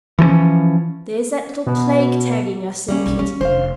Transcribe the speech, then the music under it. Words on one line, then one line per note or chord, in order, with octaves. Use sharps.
"There's that little plague tagging us," said Kitty.
E3 F3 G#3 C#4
B2
G3 A#3 C#4
B1
G3 C#4
F1 D3 C5 F5